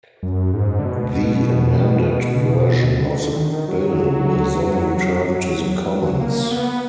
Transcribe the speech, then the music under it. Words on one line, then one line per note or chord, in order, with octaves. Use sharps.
The amended version of the bill will then return to the Commons.
F#2
G#2
D3
B2
D3
D#3
F#3
F#3
A#3
B3